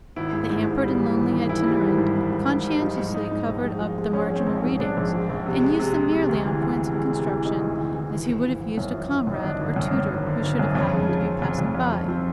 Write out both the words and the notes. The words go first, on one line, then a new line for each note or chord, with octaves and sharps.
The hampered and lonely itinerant conscientiously covered up the marginal readings, and used them merely on points of construction, as he would have used a comrade or tutor who should have happened to be passing by.
G#1 E4
G#2
G#2
G#2
G3
E3
G#1
E3
E3 E4
G3
G#1
G#2
G#2
G#2
G#2
G3
F3 D#4
G#2
G#2 D#4
G#2
A#1
G#3
F3
G#3
A#1 C#4
F3 C#4
C4
A#1
C#4
G#2
A#1 D4
A#1
F3
A#1
C3
G#3
C3
G#3
C3
D2
E3
D2
C3
G#3
C3
E3
C3 D#4
D2
D2
E3
G#1
G#1
F3
G#1
F#2
F3
F3
F#2
D#4
D3 D4
G#1
F#2
F#2
G#1
D3
G#1
F#2
F2 C#4
C#3
F3
F2
F2
F2
F2
F3
F3 C4